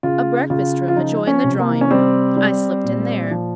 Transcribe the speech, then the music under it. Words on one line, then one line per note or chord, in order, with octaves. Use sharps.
A breakfast-room adjoined the drawing-room, I slipped in there.
C#3 F4
C#3 F4
F4
F3 D#4
C#4
C3
A#3
C#4
G3 C4
G3
A#2
F3